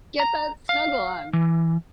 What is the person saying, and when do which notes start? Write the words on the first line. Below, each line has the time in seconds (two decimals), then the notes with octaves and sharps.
get that snuggle on.
0.20 A#5
0.69 F5
1.33 E3